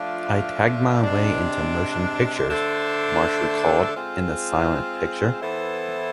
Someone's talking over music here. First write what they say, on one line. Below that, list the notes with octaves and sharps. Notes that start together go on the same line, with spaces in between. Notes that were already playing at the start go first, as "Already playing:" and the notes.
"I tagged my way into motion pictures," Marsh recalled in "The Silent Picture".
Already playing: F3 A3 D4 F4
C3 G#3 D4
D3 A3 D4 A4 C5
G#3 C4 F4 G#4 C5
E3 B3 E4 A4 C5